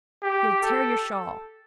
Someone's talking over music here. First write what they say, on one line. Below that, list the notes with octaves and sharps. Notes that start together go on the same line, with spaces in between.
"You'll tear your shawl."
G4
A4